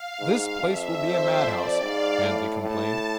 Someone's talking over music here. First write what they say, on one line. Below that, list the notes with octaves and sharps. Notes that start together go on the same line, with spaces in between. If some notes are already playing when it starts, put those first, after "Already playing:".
"This place will be a madhouse," Handley complained.
Already playing: F5
G#2
F2 E5
C5
D5
G#2 F5
A2
A2 A5